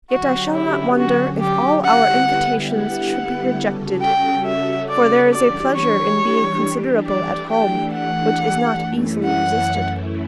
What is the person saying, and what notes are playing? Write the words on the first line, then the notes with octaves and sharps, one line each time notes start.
Yet I shall not wonder if all our invitations should be rejected: for there is a pleasure in being considerable at home, which is not easily resisted.
D3 F#3 C#4 F#4 G4
E4
F#4
G4
D3 G3 B3 E4 G4 F#5
F#5
C#3 G3 C#4 F#4 A4
G5
E5
D5
E3 G3 D4 G4 D5
C#5
E3 A3 D4 G4 D5
G5
F#5
F#2 E3 A3 C#4 E4
F#5